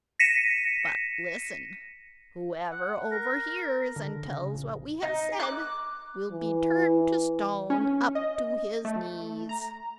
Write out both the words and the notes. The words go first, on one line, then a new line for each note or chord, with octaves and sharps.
But, listen! whoever overhears and tells what we have said will be turned to stone up to his knees.'
A#6 B6 C#7 D#7 E7
F#5
A#4
D3
C#3
A#1
D#4
D6 F#6
E3
C#4
D#5
A3
A#5